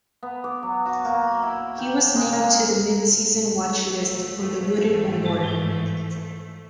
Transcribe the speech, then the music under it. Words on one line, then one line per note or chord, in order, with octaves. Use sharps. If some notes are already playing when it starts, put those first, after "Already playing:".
He was named to the midseason watchlist for the Wooden Award.
B3
D6
F#3
F#4
A#3
E4
G5
G#3
A#3
F3 A3
G#2 E3